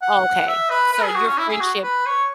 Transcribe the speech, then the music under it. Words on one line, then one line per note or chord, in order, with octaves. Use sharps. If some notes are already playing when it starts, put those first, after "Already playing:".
Oh, okay. So, your friendship
F#5
E5
B4
B4
G#4
F#4
C#4
E4
G#4
F#4
B4
C#5